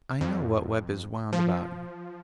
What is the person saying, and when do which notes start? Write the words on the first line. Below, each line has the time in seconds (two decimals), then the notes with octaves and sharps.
I know what web is wound about you.
0.21 F2
1.33 F3